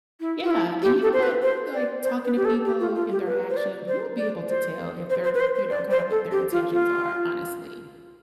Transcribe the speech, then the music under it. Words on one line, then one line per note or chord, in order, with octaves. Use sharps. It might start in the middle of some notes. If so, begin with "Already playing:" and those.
Yeah, and you know what? Like, talking to people and their actions, you will be able to tell if they're you know, kinda what their intentions are, honestly,
E4
F4
E4
G4
A4
C5
B4
C5
D5
C5
B4
G4
A4
G4
F4
F4
G4
B4
C5
D5
C5
D5
C5
C5
C5
B4
C5
C5
D5
C5
A4
G4
F4
F4